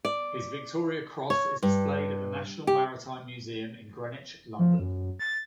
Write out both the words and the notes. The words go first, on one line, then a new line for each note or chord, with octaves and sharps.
His Victoria Cross is displayed at the National Maritime Museum in Greenwich, London.
D5
C#5
G2
G4
F3
F#2
A6